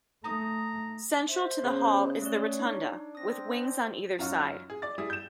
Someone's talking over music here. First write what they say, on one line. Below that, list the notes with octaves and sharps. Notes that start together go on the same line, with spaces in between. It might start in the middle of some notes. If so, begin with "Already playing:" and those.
Central to the Hall is the Rotunda, with wings on either side.
A3 D#4 A#5 D#6
C5 E5
C#3 B3 C#4
A3 C#4 C#5 D5
D4 D#4
C4 D#6 A#6
F#2 F#3 D#4 F4 F#4
G#4
D5 A6
G3 E4 G#4 D#6
G6 E7